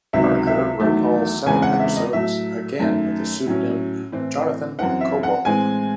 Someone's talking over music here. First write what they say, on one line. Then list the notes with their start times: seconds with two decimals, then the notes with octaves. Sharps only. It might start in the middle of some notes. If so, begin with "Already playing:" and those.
Barker wrote all seven episodes, again with the pseudonym Jonathan Cobbald.
0.13 C#2 C3 D#3 F#3 E5
0.47 E5
0.80 E2 D#3 F#3 A3
1.46 E2 C#3 E3 G#3 C4 G#5
1.62 F#5
1.79 E5
1.96 D#5
2.13 A2 F#3 A3 E5
2.79 F#2 D#3 A3
3.46 A2 F#3 C#4
4.12 A2 E3 C4
4.79 F#2 E3 C4 F#5
5.01 E5
5.23 F#5
5.45 A2 E3 G#3 C4 G#5